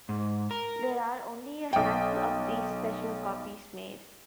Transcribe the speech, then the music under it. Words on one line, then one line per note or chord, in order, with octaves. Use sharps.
There are only a handful of these special copies made.
G#2
A#4
B1 G5